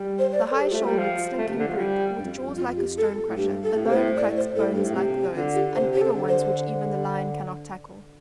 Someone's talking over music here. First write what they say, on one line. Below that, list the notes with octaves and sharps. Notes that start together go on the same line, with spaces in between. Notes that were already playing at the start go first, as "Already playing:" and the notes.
The high-shouldered slinking brute, with jaws like a stone-crusher, alone cracks bones like those and bigger ones which even the lion cannot tackle.
Already playing: G3
C5
D5
C5
A4
G4
A3 F4
G3
F3
A3
C3
D3
F3
G3
G2
F2
F2
F4
G4
A4
A2
G2 G4
A4
A2
C3
C5
A2
A2 D5
C5
A2 A4
G2 G4
A2
C3 G4
G4
D3 F4
G4
C3 C5
G4
C3 A4
D3
C5